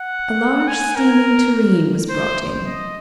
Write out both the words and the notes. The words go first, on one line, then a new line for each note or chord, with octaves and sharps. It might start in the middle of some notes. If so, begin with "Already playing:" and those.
A large steaming tureen was brought in.
Already playing: F#5
G#5
A#4
C5
D#5